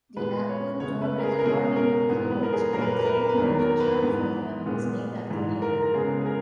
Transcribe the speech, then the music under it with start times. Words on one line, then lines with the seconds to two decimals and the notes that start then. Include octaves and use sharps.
The Atwood Dorm at Harvey Mudd College in Claremont, California, was named after him.
0.16 A#2 G#3 B3 B4
0.49 C#5
0.80 C#3 G#3 B3 C#5
1.02 B4
1.18 A#4
1.23 G#4
1.39 A#4
1.45 B2 G#3 C#4 G#4
1.76 A#4
2.09 G#2 E3 B3
2.30 B4
2.43 A#4
2.53 G#4
2.73 A#2 F#3 A#3 A#4
2.81 B4
2.89 A#4
2.99 B4
3.05 A#4
3.29 B4
3.37 E2 D#3 F#3 B3 A#4
3.59 A#4
3.80 B4
4.02 G#2 E3 B3
4.66 A#2 G#3 B3
5.30 G#2 E3 G#3
5.62 A#4
5.82 A#4
5.94 C#3 G#3 B3 G#4
6.21 G#4
6.26 A#4